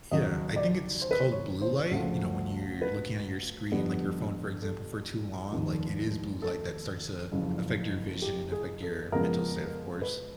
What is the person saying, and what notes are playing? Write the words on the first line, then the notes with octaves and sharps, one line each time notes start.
Yeah. I think it's called blue light, you know, when you're looking at your screen, like your phone, for example, for too long, like, it is blue light that starts to affect your vision and affect your mental state, of course.
D#2 C#3 F#3 D#5
D5
C5
B4
C5
C#5
C5
D2 C#3 F3 A3
B4
F2 D3 G3 B3
A4
F1 D#2 D#3
A4
F#1 F2 C#3
G4
G#4
A4
F2 C#3 F3 G#3 B3 A#4
B4